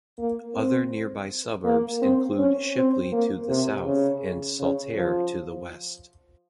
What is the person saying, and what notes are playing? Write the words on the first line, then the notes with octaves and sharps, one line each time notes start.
Other nearby suburbs include Shipley to the south and Saltaire to the west.
A#3
C4
A#3
C4
C#4
C4
A#3
C3
C#3
C#3
F3